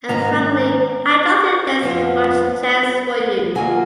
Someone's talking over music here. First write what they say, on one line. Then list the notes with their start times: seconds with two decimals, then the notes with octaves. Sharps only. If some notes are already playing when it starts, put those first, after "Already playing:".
And frankly, I don't think there is much chance for you.
0.08 G#2 D#3 A#3 C#4 A#5
1.82 F2 F3 B3 F4
3.55 D#3 F#3 A#3 F4 G#5